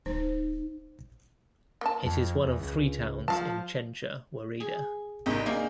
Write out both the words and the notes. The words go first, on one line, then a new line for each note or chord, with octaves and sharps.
It is one of three towns in Chencha woreda.
D1 D#4 C5
A#3 A5
F2
E2
C#2
F3 F5 A5
G#4
G#1 C3 D#4 D5 G6
A#3 D4 G#4 A#4